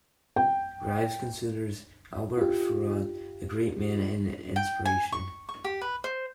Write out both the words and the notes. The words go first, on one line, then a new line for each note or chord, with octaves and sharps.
Rives considers Albert Feraud a great man and an inspiration.
G5
F4 G4
G5
G#5
C#6
C#6
G4
B4
C5